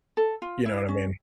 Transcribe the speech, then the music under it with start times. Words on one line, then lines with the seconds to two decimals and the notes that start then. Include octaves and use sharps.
You know what I mean?
0.17 A4
0.42 F4
0.66 E4
0.88 C#4